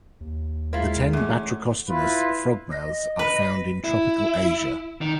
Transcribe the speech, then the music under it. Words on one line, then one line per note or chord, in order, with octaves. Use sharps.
The ten "Batrachostomus" frogmouths are found in tropical Asia.
D#2
G#3 E4 F4 A#4
E2 A3 C#4
E4 F4 B4
D#5
B4
E4
D#3